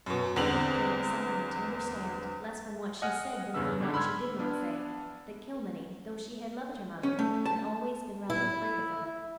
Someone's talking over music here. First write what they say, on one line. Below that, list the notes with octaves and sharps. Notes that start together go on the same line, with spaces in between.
Eric came somehow to understand, less from what she said than from what she did not say, that Kilmeny, though she had loved her mother, had always been rather afraid of her.
F#2 B2
E2 D3 C4 F7 F#7
D#5 F#5 G#5 F6
E2 G2 C#3 B3 B4 E6
G#2 D3
B5 C6 E6 F6 G#6
B3 D4
C#4
A3
A5
E4